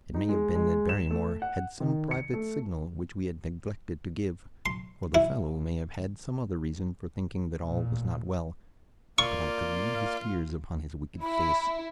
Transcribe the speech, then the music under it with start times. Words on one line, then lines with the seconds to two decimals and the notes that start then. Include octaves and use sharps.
It may have been that Barrymore had some private signal which we had neglected to give, or the fellow may have had some other reason for thinking that all was not well, but I could read his fears upon his wicked face.
0.14 D#4
0.29 G#3
0.55 G#3
0.89 E7
1.11 A3
1.42 F#5
1.80 D#3
2.11 C#7
2.34 A3
4.66 C6
5.15 E4
7.60 A1 A#2
9.18 A#3 F4 D5 C#6
11.22 E4 B5